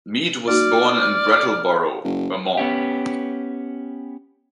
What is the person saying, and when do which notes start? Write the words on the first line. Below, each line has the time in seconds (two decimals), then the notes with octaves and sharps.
Mead was born in Brattleboro, Vermont.
0.48 A#3 D#4 F#4 D5 F6
2.04 F#1
2.57 B3 C#4 G4